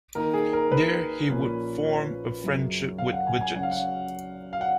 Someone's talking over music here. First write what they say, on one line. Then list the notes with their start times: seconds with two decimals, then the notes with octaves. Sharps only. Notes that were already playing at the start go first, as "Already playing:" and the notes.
There he would form a friendship with Widget.
0.15 D#3 A#3 D#4 A#4
0.34 G#4
0.53 A#4
0.72 B4
1.29 A#2 F3 A#3 C#4
1.85 C#5
2.41 F#2 C#3 F#3 C#4
2.98 F5
3.13 F#5
3.27 G#5
3.41 G#5
3.55 C#3 F#3 C#4 F#5
3.63 F5
3.71 F#5
4.53 F5
4.61 F#5